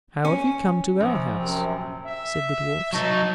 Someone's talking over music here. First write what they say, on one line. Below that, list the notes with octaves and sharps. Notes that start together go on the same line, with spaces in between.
"How have you come to our house?" said the dwarfs.
C#4
A#1
F#2 C3 C4
E5
F#3 D#4 A5